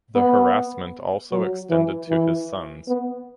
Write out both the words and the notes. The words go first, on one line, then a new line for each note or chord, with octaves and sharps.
The harassment also extended to his sons.
B3
F#3
E3
E3
B3